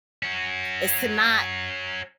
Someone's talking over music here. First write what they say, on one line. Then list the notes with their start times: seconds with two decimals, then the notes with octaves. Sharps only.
is to not,
0.23 C#4 F#4